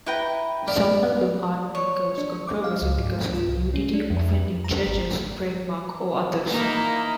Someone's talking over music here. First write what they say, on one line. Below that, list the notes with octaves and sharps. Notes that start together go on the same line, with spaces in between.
Some album art may cause controversy because of nudity, offending churches, trademark or others.
E4 B4 G5 A#5
D5 F5 B5
C#5
D4
D6
F5
C#2
G#2
F4
C2
C#4
D4
F2
A#5
G#1
A#3 D#4 E4